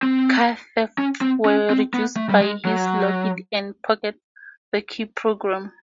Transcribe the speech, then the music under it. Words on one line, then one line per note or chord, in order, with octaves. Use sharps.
Car thefts were reduced by his 'lock it and pocket the key' program.
C4
C#4
C4
C#4
C4
B3
A3
G3
G#3
F#3